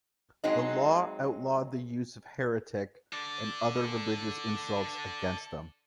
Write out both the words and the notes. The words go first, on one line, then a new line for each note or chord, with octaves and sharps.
The law outlawed the use of "heretic" and other religious insults against them.
F#3 G#3 C4 D#4
A4 D5